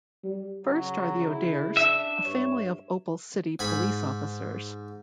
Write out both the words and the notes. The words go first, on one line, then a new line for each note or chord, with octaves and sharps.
First are the O'Dares, a family of Opal City police officers.
G3
C#3 F#3
E4
D4 E5
G2 C#5
G#2 G#5 B5